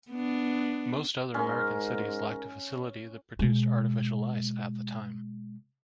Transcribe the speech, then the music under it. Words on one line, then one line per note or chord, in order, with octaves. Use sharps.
Most other American cities lacked a facility that produced artificial ice at the time.
B3 D4
G#2 C#4 A#4 C6
B2 G#3